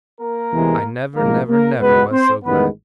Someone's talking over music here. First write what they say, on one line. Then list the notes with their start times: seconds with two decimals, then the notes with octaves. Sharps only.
'I never, never, never was so glad!
0.21 A#3 A#4
0.53 E2 C3 E3 G#3
1.16 A#1 A2 F3 G#3 A#3 A#4
1.48 A#3 A#4
1.80 C#2 B2 G#3 B3 B4
2.11 C4 C5
2.43 A1 G2 D#3 G#3 B3 B4